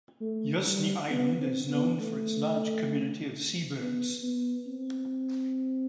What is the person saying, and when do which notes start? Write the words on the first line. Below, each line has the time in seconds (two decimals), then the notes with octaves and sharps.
Yuzhny island is known for its large community of sea birds.
0.21 A3
0.66 G3
1.10 B3
1.40 C4
1.69 B3
2.00 A3
3.78 B3
4.23 B3
4.67 C4